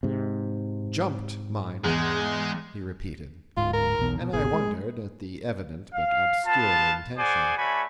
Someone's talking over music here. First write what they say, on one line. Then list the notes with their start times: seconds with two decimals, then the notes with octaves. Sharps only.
"Jumped--mind!" he repeated, and I wondered at the evident but obscure intention.
0.03 G#2 C3
1.84 E2 G#3
3.57 D1 G#2 F4
3.73 A#4
3.99 B1 E2 B2
4.21 B2
4.33 D1 G#1 B2 G#4
4.53 G#3
5.94 F5
6.46 B3 F4 F5 A5
7.18 G#4 C5 D5 F#5 G#5
7.58 A3 F#4 C#5 D5 G#5 B5